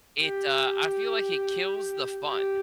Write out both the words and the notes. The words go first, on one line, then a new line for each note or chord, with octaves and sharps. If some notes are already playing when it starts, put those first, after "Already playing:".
it, uh, I feel like it kills the fun.
G4
G4